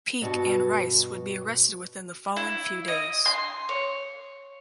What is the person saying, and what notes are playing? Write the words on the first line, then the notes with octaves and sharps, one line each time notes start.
Peak and Rice would be arrested within the following few days.
G2 B2 F#4 A5
E4
D#5
C6
C#5